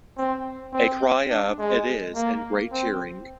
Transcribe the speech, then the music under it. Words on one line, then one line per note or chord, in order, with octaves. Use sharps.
A cry of “It is,” and great cheering.
C4
C4
D4
G#3
A#3
C4